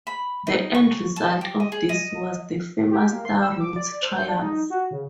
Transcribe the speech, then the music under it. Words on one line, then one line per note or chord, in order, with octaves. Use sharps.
The end result of this was the famous Star routes trials.
B5
D#4
C#6
A5
G4
D#5
G#4
D#5
G4
A#3
C6
E6
D6
D5
C5
G6
D4
D#4
F#4
C#3